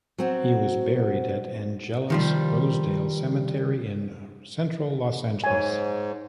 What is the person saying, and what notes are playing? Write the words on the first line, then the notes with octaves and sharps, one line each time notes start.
He was buried at Angelus-Rosedale Cemetery in Central Los Angeles.
F#3 C4 F#4
D#3 F3 G3
G#2 C#5 G#5